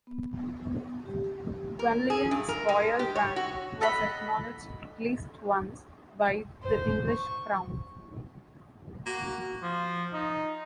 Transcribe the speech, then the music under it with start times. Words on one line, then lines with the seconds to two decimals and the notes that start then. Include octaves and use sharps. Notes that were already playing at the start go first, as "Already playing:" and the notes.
Gwenllian's royal rank was acknowledged at least once by the English Crown.
0.07 B3
1.06 G4
1.79 A#4
2.10 G#4
2.31 G2
2.49 A#4
2.69 G#3
2.99 G4
3.15 C#5
3.36 F#4
3.81 A4 D#5 F#5 B5
6.63 C5
7.08 C#6
9.06 A#3 F#4
9.62 F3
10.13 D#4